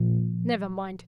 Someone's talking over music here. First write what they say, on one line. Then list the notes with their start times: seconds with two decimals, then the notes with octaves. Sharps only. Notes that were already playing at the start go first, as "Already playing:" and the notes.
Never mind.
Already playing: A#2 F3